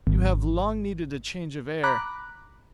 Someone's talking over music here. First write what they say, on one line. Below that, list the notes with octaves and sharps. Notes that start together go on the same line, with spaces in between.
You have long needed a change of air.
G#1
A#5 B5 D6 F#6